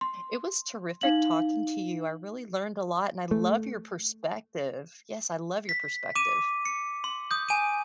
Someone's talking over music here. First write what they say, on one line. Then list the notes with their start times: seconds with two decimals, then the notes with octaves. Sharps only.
it was terrific talking to you I really learned a lot and I love your perspective yes, I love your perspective.
0.01 C6
1.01 D#4 F5 F#7
3.31 A3
5.69 B6
6.15 D6 D#7 E7
6.65 C#7
7.04 C6
7.31 D#6 G6
7.49 G#5 D#7